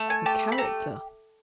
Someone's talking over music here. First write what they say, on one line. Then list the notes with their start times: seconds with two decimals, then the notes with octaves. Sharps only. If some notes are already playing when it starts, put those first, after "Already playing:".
'Her character!
Already playing: A3
0.10 G#5
0.26 G4 A5
0.52 B5
0.58 A3 A#5